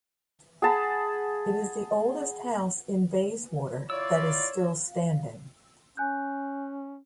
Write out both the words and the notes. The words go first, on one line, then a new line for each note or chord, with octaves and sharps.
It is the oldest house in Bayswater that is still standing.
G#4 F#5 A5 B5
E4 F4 C#5 D5 E6
C#4 G#5 F#6 G6